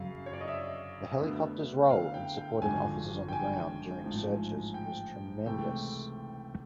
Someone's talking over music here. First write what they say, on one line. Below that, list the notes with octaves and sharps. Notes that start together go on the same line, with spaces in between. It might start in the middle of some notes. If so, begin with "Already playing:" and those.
The helicopter's role in supporting officers on the ground during searches was tremendous.
Already playing: F#2 C#3 F#3 F5
C#5
D5
D#5
E5
D2 D3 F#3 B3
F5
G5
G5
G#1 F#2 D3 F3 G#5
G5
G#5
A1 G#2 F3
G5
C#2 C3 E3 A3 C4 G5